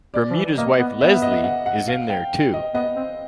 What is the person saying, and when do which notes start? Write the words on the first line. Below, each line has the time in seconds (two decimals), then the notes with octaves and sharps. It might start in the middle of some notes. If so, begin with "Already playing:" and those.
Bermuda's wife Leslie is in there too.
0.14 D5
0.30 F3
0.36 E3
0.58 A#3 D#5
0.79 B3
1.01 B3 E5
1.22 D#5
1.44 F#5
1.66 F#5
1.88 F5
2.10 G5
2.54 D#5
2.74 B3 D#5
2.96 C4